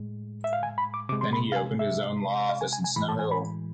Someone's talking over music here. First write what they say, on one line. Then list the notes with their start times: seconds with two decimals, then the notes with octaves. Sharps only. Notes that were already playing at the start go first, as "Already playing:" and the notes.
Then he opened his own law office in Snow Hill.
Already playing: A2 G#3
0.44 E5
0.53 F5
0.63 G#5
0.78 B5
0.94 D6
1.09 C3 D6
1.12 G#3
1.21 C6
1.33 B5
1.52 F5
1.56 G#5
1.79 E5
2.49 F5
2.61 G#5
2.73 G#5
2.84 G#5
2.96 A2 E3 G#3 B5
3.08 A5
3.19 G#5
3.31 B5